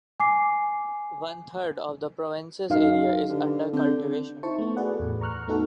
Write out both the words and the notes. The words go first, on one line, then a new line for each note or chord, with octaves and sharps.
One third of the province's area is under cultivation.
G#5 D6 C7
F#2 D#4 F5
D3 G4 B4
D3 C4 G6
D#4 E4 C5 A5 C#6
A3 B3
F#4 G#4 A4 B4 D5 F#5
E2 A2
A#5 C#6 F6 F#6
A3 B3 D#4 F#4 A4 F#5